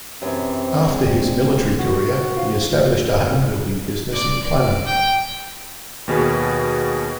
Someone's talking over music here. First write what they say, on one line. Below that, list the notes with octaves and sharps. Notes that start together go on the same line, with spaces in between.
After his military career, he established a homebuilding business in Plano.
F#2 C3 E3 C4
G3 G#3 D4
F#4
C4 F4
D5
D5
G5
D#2 B2 G#4 B4